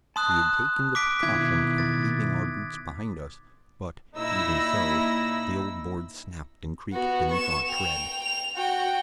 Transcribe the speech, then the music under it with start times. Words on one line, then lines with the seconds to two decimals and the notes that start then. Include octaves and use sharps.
We had taken the precaution of leaving our boots behind us, but, even so, the old boards snapped and creaked beneath our tread.
0.16 A5 C6 D#6 F#6
0.95 D6 B6 D7
1.23 B2 D#3 E4 G#6
1.78 A6
4.16 A#2 D#4 E4 E6 A#6
6.93 B3 F#4
7.32 C#6 E7
7.69 G5 F7
8.24 F7
8.56 F#4 G5